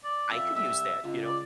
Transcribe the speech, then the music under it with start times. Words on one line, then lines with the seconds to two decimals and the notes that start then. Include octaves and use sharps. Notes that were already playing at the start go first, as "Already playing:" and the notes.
"I could use that," you know.
0.04 D5
0.31 F2 E5
0.55 C2 E5
1.04 C#2
1.25 D5